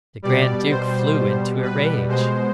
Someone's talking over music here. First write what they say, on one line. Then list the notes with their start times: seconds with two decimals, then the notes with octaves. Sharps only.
The grand duke flew into a rage.
0.22 B2 G3 D5
0.70 C5
1.62 B4
2.08 B2 G#3 C5